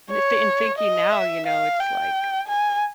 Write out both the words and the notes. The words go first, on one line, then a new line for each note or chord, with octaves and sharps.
N th in thinking now, you know, it's, like
C#5
D#5
E5
F5
G5
G#5